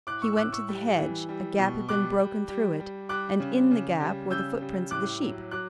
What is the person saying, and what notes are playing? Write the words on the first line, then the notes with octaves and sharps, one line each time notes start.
He went to the hedge; a gap had been broken through it, and in the gap were the footprints of the sheep.
A2 D6 F#6
C#6 E6
E6
A2 D6 F#6
C#6 E6
G3
E3
G3
B2
G3 D6 F#6
G3
G3
G3
G3 D6 F#6
C#3
C#3
G3
C#3 E6 G6
G3
A2 D6 F#6
F#3
F#3 D6 F#6